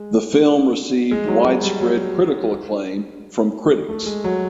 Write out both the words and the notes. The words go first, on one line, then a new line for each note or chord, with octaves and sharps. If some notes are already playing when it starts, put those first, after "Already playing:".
The film received widespread critical acclaim from critics.
Already playing: G#3
G#3
F#3
F#3
G3
F#3
A3
G#3
F#3